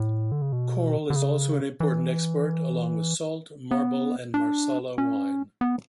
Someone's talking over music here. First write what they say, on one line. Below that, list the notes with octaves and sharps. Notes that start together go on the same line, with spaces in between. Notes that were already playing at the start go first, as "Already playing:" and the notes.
Coral is also an important export, along with salt, marble, and marsala wine.
Already playing: A2
D3
C#3
B2
D3
C#3
E3
B3
D4
C#4
B3